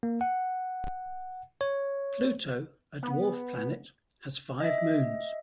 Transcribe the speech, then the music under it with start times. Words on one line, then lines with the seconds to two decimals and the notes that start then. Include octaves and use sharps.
Pluto, a dwarf planet, has five moons.
0.03 A#3
0.21 F#5
1.61 C#5
3.03 B3
4.60 D#5 E5